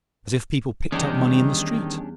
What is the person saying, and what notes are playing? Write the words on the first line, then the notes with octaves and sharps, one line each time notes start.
As if people picked up money in the street!
E2 D#3 G3 C#4 D4 G4 F#5